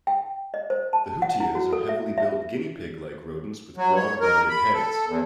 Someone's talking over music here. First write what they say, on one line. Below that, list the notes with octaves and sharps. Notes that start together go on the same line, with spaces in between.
The hutias are heavily built guinea pig-like rodents with broad rounded heads.
G5
D#5
C5
A5
F#5
E4
F#4
A4
E5
E5
F#3
C#5
A#4
B5
A4
E2